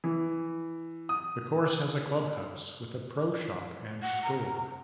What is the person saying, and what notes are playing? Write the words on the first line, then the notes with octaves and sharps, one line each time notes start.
The course has a clubhouse, with a pro-shop and store.
E3
D#6
F#5
A#5